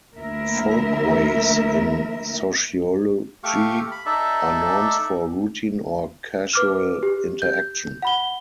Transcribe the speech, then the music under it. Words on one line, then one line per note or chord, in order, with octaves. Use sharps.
Folkways, in sociology, are norms for routine or casual interaction.
D2 F3 A#3 E4 A#4 E5
A3 G4 F5 C#6
B5
D#4 A4 D5 E5
B4 D6 F6
G4
G6
F#5 B5 G7